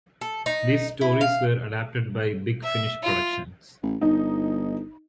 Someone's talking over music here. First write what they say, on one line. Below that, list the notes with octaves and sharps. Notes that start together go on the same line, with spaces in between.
These stories were adapted by Big Finish Productions.
A4
D#4
E4
F5
E5
F4
A1
G1 D#4